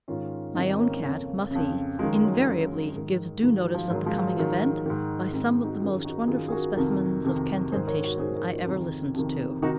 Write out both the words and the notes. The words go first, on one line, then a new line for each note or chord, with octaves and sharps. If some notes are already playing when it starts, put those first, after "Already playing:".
My own cat, Muffie, invariably gives due notice of the coming event, by some of the most wonderful specimens of cantation I ever listened to.
G#2 D#3 C#4 F4
G#2 D#3 C4 D#4
C4
A#3 C#4
F2 C#3
F2 C#3
F#2 D#3 F3 G#3
F#3
F#2 D#3
G#2 D#3
G#2 D#3 F3
F#3
F3
G#2 D#3 F#3
F3 G#3
F#3
G#2 D#3 F#3
G#2 D#3
G#2 D#3 C4 D#4
D#4 F#4
F#2 D#3 F4 G#4
D#4 F#4
F#2 D#3 F4 G#4
G#4
F#4 A#4
F2 C3 D#3
F2 C3 D#3
G#2 D#3 G#4 C5
A#4 C#5
F#4 A#4
G#2 D#3 G#4 C5
F#4 A#4
F4 G#4
F2 C3 D#3
F2 C3 D#3
C3 D#3 D#4 F#4